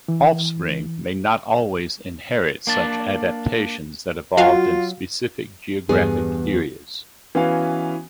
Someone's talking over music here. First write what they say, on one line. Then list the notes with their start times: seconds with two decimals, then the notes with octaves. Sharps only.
Offspring may not always inherit such adaptations that evolved in specific geographic areas.
0.08 E3
2.67 A#3 D4 A5
4.37 F#3 F4 F#4 F5
5.89 E2 G2 B3 G#4
7.35 E3 B3 C#4 F#4 F5